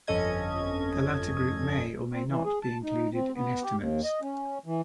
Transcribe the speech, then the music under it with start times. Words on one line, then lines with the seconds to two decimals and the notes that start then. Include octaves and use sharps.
The latter group may or may not be included in estimates.
0.07 G1 F2 C#4 A4 D#5 G#6
2.13 C4
2.29 E3
2.45 G#4
2.63 A5
2.83 D#4
3.14 C4
3.35 B3
3.63 G4
3.77 D#2
4.04 D#5
4.22 C#4
4.66 E3